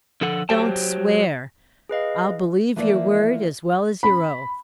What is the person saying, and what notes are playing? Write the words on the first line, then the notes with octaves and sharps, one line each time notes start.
'Don't swear; I'll believe your word as well as your oath.
D3 F3 A4 F#5
F#3 G4 C5 G5 A5
G#4 B4 D#5 F5
E3 F3 A#3 E4 D5 E5
B5